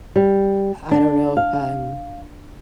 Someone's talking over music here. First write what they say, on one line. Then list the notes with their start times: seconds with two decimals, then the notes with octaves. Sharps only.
I don't know if I'm
0.16 G3
0.91 D4
1.37 F5